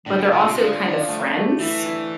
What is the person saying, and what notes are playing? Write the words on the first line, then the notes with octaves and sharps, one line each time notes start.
but they're also kind of friends,
A2 D3
B2
B2 F4
C3
D3 F3
D4
A3
A3
E3 E4
E4